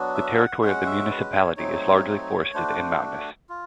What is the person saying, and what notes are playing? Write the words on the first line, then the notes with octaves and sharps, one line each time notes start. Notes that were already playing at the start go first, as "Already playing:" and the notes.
The territory of the municipality is largely forested and mountainous.
Already playing: F#3 B3 D4 F#4
E5
F#5
G#3 C#4 F#4 F#5
E5
B4
C#5
F#3 A3 C4 D#4 C#5
A3 D4 F#4 C5
C5
F4